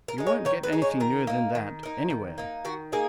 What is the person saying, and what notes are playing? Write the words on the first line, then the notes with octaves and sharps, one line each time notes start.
You won't get anything newer than that anywhere.
A#4
G#3 D#4
C#5
D#3 C#5
B4
G#3 D#4
C#5
D#3 A#4
A#3 D#4
D#3
A#3 D#4
D#3
A#3 D#4
D#3 F#4
A#3 D#4 G#4